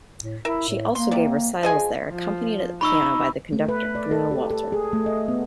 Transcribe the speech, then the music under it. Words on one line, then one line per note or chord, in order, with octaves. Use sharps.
She also gave recitals there accompanied at the piano by the conductor Bruno Walter.
A2
E4 A#4 E5
A2
A#3 C6
C3 D5
F3 G#4 D#5 G#5
F3
D#4 B5 C#6 E6
A3
B4
D5
A4
G4
A4
G#4
A3
D#5
B3